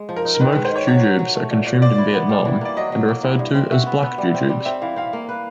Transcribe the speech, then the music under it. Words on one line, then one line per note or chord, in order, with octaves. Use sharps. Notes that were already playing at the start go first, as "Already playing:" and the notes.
Smoked jujubes are consumed in Vietnam and are referred to as black jujubes.
Already playing: G#3
F3
A#4
D#4
A#4
D#3 B4
G#3 B4
C5
D#3 C#5
F#3 C#5
F#3
F#3
A3
A#2
A#2
C5 D5
E4
B3
G3
E3
A#3 D5
F#3 D#5
F#3
A#3
E3
G2
C4
F#4 E5
B3
B3
G3
C4
G3
C4 E5
E3 F5
C4 F5
A#3
B4